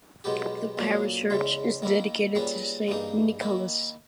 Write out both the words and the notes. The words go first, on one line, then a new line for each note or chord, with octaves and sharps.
The parish church is dedicated to Saint Nicholas.
B1 B2 G#3 B3 G4
B1 A#2 A#3 C#4
E2 C#3 E3 G#3
D#3 A#3 E4 A#4
A#2 G3 C#4 G#4 B4
G2 E3 A#3 D#4 G#4
D#3 A#3 E4